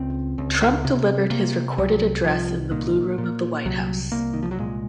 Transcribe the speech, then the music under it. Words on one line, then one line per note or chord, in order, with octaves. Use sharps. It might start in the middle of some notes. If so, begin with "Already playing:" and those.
Trump delivered his recorded address in the Blue Room of the White House.
Already playing: C#2 C4
C#2
C3
C3 A#3
C2 F#3
C2 F3
A#2 D#3
A#2
C2 F#3
C2 A#3
D#3
F3
F#3
A#2 G#3